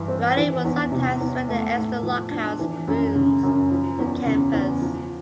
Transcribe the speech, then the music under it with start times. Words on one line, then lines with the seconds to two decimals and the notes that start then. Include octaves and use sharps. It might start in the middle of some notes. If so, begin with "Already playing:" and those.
Riley would sometimes rent the extra lock house rooms to campers.
Already playing: G2 E3
0.08 C4
0.37 E3
0.65 E2
0.92 C3
1.20 E2
1.49 A3
1.75 A2
2.03 F3
2.31 D4
2.59 E3
2.88 F#2
3.15 C#3
3.43 F#2
3.71 F3
3.99 E2
4.26 C#3
4.53 E2
4.82 F3